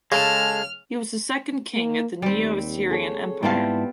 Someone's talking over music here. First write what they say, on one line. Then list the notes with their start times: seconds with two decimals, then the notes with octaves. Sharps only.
He was the second king of the Neo Assyrian Empire.
0.12 C#3 G#3 A4 A5 F6
1.74 A#3
2.22 D#2 G3 C4
2.91 G#4 A4 C#5
3.43 G#2 G3 B3 C4 E4 F4 A5